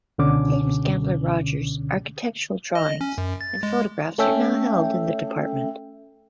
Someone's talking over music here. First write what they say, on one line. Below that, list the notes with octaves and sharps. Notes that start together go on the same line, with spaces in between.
James Gamble Rogers' architectural drawings and photographs are now held in the Dept.
C#2 B2 D3 C#4 D6
D#5
C#4
F#2
A6
G#3
A3 C#4 A4 E5 G5